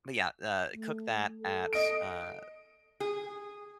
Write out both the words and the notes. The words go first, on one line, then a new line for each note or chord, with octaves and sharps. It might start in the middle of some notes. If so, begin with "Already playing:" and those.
but, yeah, uh, cook that at, uh,
A3
A4
D#5 D7
G#4